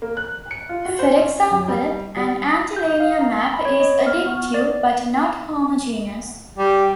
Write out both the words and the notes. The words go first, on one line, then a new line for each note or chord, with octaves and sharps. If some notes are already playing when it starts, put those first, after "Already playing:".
For example, an antilinear map is additive but not homogeneous.
A#3
F#6
C#7
F4
F#4
C5
C#4
F#2
G3
G3
G6
F5
A#5
B5
C#5
D#5
F6
B3
D5
G3 G5